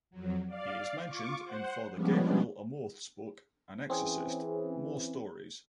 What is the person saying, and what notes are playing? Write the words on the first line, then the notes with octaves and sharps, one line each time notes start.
He is mentioned in Father Gabriele Amorth's book "An Exorcist: More Stories".
F2 F#3
D5 F5
F4 C#6 D6
C5 F#5
F3 G3 G#3 B3 C#4 D4
E3 C4 C#4 G#4